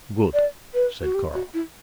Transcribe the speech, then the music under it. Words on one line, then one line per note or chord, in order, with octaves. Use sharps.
"Good," said Carl.
D5
B4
F#4
G4
F#4
E4